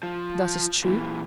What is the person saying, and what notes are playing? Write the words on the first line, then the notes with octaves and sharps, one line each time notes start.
"That is true."
F3
A#2 E3